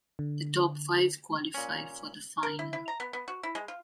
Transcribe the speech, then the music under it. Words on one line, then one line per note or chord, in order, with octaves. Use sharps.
The top five qualify for the final.
D3
A#2 C#4
A#4
E4
E4
A#5
B3
B3
F#4
E4
G#3
F4